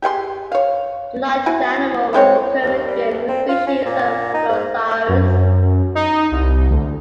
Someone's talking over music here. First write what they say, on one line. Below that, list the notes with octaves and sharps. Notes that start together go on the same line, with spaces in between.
The large animal was determined to be a new species of "Pliosaurus".
G4 G#4 F#5 C6
C#5 F5
E4 F#4 G#5
E3 G#3 C4 C#5
D#2
G3
D2
C4
F4
C#4
A#2
D#4
G#2
F#2
D#4
C2
D2